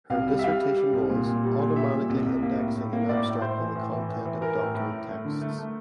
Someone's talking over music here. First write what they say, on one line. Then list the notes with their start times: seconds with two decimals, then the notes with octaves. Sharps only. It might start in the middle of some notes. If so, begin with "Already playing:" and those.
Her dissertation was "Automatically Indexing and Abstracting the Content of Document Texts".
0.10 C2 F5
0.27 G3
0.39 E5
0.44 G3 F5
0.60 G3
0.76 G3
0.93 C2
1.09 A#2
1.26 A#2
1.43 G3
1.59 A#2
1.76 G3 E5
1.92 A#2
2.10 C2
2.26 C2
2.43 A#3
2.59 A2
2.76 A2
2.93 A#3
3.09 A2 D5
3.25 A2
3.41 A2 C5
3.58 E3
3.75 A2
3.92 E3
4.09 A2
4.25 E3
4.41 E3 A#4
4.59 A2
4.75 A2
4.91 A2
5.09 A3
5.25 D3
5.41 A3
5.59 A3